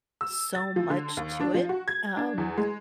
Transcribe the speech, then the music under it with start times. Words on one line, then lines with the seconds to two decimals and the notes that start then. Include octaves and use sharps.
so much to it, um
0.21 E6
0.55 A6
0.76 F3
0.90 D3
1.17 D#2
1.40 D4
1.54 F3
1.69 F#4
1.88 G#6
2.17 D4
2.38 E2
2.57 G#3